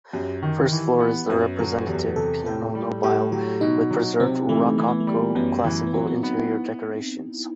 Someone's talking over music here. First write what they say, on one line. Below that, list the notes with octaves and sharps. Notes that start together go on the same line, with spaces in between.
First floor is the representative piano nobile with preserved rococo-classical interior decorations.
F#2 G4
D#3
E3
B3
F#2 B4
F#3 A4
E2 G4
C3 A4
A2 A4
G3
A2 G4
F#3 G4
B2 D#4
F#3
C3 C4
E3 A3
E3 A3
B3
A3
G3
F#2 B3
E3
B3
F#3 C4
B3
B3 D#4
E4